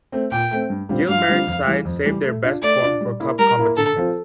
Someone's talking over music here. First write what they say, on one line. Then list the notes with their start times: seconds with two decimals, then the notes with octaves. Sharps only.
Gil Merrick's side saved their best form for cup competitions.
0.12 A3 C4
0.31 A#2 G5
0.51 A3 C4
0.70 G2
0.89 D3 G3 C4 F4
1.08 G2 F5
1.28 D3 G3 C4 F4
1.47 F2
1.66 E3 G3
1.85 F2
2.04 E3 G3
2.24 A3
2.43 D4 F4
2.62 A3 D5
2.82 D4 F4
3.01 G3
3.20 A#3 E4 A#4
3.39 G3 A#4
3.58 A#3 E4 A#4
3.77 D3 A4
3.97 F3 C4 F4